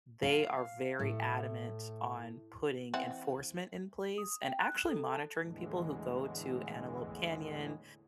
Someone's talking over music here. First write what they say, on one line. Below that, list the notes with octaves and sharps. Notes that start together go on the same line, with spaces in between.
They are very adamant on putting enforcement in place and actually monitoring people who go to Antelope Canyon,
F5
A2
E3 C4 F#5
D#6
G5
F#6
A4
A5
E2 A2 D3 E3 G#3